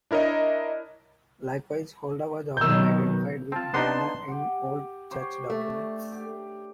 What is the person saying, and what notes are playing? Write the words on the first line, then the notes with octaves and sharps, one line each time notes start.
Likewise, Holda was often identified with Diana in old church documents.
D4 E4 A#4 C#5 D#5
B2 D#3 F#3 E6 G6
C4 F4 A5
B3 D4 D#4 C6
G4 F#5
G4 C5 C#5
A3 D4
G4